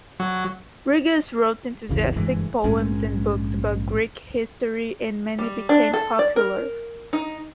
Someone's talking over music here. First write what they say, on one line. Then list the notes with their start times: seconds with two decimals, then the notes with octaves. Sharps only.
Rigas wrote enthusiastic poems and books about Greek history and many became popular.
0.20 F#3
1.89 G#1 D#2 C#3 E3
2.15 F#1 G2 E3 G#3
2.64 A#1 G#2 G#3 C#4
5.39 G3
5.69 D4
5.93 A4
6.19 D5
6.36 A#4
7.13 D#4